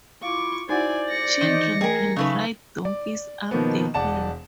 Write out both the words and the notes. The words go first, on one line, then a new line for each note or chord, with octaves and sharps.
Children can ride donkeys up the hill.
E4 F4 F5 C#6 D6
D#4 E4 F#4 C5 D5 F#5 G#5
A#6 C#7
D#3 E3 D#4
A3 G#4 A#4 D#5 G5
C#3 F#3 A3 D#4 B4
D5
B2 D#3 F3 A#3 B3
E1 D5 F#5 A5 E7